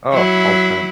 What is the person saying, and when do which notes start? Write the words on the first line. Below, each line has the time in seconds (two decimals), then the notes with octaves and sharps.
Oh, all the time.
0.13 F#3 E4